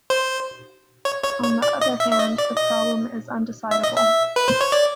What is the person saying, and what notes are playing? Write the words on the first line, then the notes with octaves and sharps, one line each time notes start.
On the other hand the problem is undecidable.
C5
C#5
C#5
C#5
D5
D#5
E5
E5
D#5
D5
D#5
E5
D#5
E5
B4
C5
C#5
D5